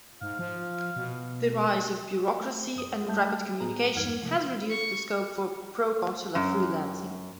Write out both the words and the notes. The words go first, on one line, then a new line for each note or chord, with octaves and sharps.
The rise of bureaucracy and rapid communication has reduced the scope for proconsular freelancing.
G#2 F5
F3
B2
A3
F#2 D#6
G3 A3 E5 A5 G6
A2 B3 G#4 A#5
E2 G2 D#4 F#5 F6 G#6
C3 F3 A3
C#6
F#2